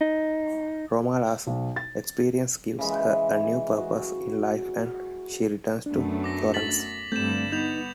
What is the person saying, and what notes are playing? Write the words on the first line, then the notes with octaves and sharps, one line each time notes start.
Romola's experience gives her a new purpose in life and she returns to Florence.
D#4
B1
A6
C#3 E3 G#3
F#4
F#2 A3 B3 D4
D6 A#6
A6 B6 F#7
G2 D3 G3 A3 C4 G6 E7
B3 D#4 G6 F7